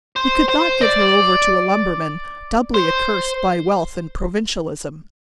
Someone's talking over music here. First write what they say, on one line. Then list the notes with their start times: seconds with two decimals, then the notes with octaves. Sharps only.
We could not give her over to a lumberman, doubly accursed by wealth and provincialism.
0.16 C5
0.49 C5
0.81 D5
2.74 C5